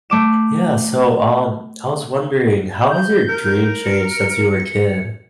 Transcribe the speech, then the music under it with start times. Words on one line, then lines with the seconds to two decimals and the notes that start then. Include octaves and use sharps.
Yeah, so, um, I was wondering, how has your dream changed since you were a kid?
0.10 A3 D6 E7
2.90 G6
3.29 A#4
3.85 C#7